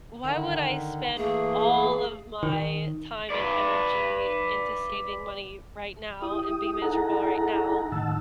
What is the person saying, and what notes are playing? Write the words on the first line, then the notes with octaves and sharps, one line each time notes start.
"Why would I spend all of my time and energy into saving money right now and be miserable right now
D3 D#3
E3 A3 A#3 G#4
D#3
B4 D5
E4 G4 D#6
D#4 E4 G#4 A4 F#5 A#5
A2 D#3 D#4 F#5 A5 E6